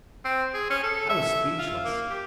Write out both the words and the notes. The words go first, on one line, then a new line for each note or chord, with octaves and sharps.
I was speechless.
C4
G#4
C#4
A4
E5
F4
A#3
G4